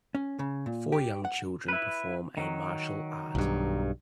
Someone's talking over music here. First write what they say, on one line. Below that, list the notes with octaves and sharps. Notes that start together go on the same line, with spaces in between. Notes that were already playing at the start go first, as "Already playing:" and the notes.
Four young children perform a martial art.
C#4
C#3
A#2
G4
F#5
E4 B4
D#3 F#3
B1 G2